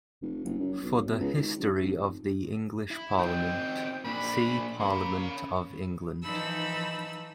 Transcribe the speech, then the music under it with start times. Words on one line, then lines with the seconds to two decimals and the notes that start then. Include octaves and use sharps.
For the history of the English Parliament, see Parliament of England.
0.22 F1
0.44 F#1
0.60 F#2
0.82 B1
1.05 B2
1.19 C#2
1.37 D#3
1.58 F#2
1.83 F1
2.91 E4
3.19 C4 D#4 G5
4.05 A#2 D4 B5
4.80 A#3 C#4 B5
6.24 E3 F3 D#4 A5 B5 E6